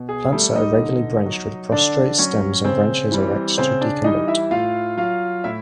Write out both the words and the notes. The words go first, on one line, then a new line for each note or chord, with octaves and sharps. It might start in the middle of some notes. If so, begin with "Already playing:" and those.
Plants are irregularly branched with prostrate stems and branches erect to decumbent.
Already playing: B2
G#4
G3 A3 A4
D#4 D#5
D3
F#3
D3 D4 D5
F#3 C#4 C#5
C#3 C4 C5
E3 G3
C#3 C4 C5
D4 D5
E3 G3 D#4 D#5
E4 E5
A2 F4 F5
F#3 F4 F5
A2 E4 E5